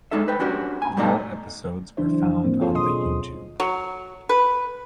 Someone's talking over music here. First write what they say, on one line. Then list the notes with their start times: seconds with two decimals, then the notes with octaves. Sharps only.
All Episodes were found on the YouTube.
0.11 G#3 D4 D#4 A4 E5
0.28 B4 C5 G5
0.40 C#4 D4 F#4 G4 A#4
0.82 G#5
0.97 G2 B2 A3 D#4 D5 A#5
1.97 C#3 E3 F#3 D4 E4 C5
2.44 G#2 A#3 C4
2.61 D4 F4 G#4 A4 C5 C#5
2.75 B2 F#3 D#5 C6 D#6
3.06 D#2
3.60 F#3
4.29 B4